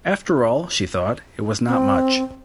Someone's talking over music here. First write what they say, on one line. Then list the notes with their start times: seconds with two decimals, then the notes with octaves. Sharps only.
After all, she thought, it was not much.
1.68 C4